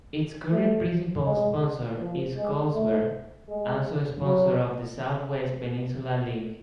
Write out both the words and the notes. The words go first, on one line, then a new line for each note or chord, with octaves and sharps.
Its current principal sponsor is "Carlsberg", also sponsor of the South West Peninsula League.
A3
G#3
F3
G#3
A3
G#3
F#3